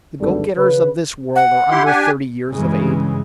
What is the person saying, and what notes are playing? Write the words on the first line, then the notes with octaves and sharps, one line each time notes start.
The go-getters of this world are under thirty years of age.
G#1 D2 G2 G3 A4
C#3 B4
F#5
E4 G4 C6
D4 G4 G#5
G2 C#3 E3 G#3